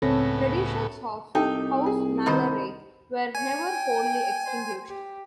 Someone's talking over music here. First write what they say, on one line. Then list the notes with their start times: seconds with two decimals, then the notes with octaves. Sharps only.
Traditions of "hausmalerei" were never wholly extinguished.
0.02 C#2 A2 C#3 B3 C4 A4 C#5 A#6
1.35 C2 D#4 G4 A4 G5
1.86 G#4
2.26 G2 D#3 C5 D#5
3.35 C#5 G#5
3.70 G5
4.47 C5
4.89 G4